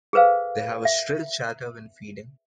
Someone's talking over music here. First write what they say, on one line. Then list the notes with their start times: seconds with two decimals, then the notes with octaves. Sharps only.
They have a shrill chatter when feeding.
0.13 G#4 A4 B4 C5 F5
0.85 E5